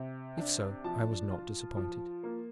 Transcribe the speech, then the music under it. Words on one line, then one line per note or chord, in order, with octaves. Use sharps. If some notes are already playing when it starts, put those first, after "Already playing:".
If so, I was not disappointed.
Already playing: C3
D4
F3 A5
F4
F3
A#3